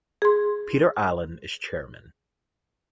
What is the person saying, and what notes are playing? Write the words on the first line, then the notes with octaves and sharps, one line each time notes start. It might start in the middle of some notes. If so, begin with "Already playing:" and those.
Peter Allen is chairman.
G#4 C6